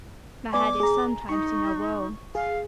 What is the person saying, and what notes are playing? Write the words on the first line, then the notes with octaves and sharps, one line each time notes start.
My head is sometimes in a whirl.
B3 D5 G#5 D6
G#4 A#5
D#4 C#6
G#4 F5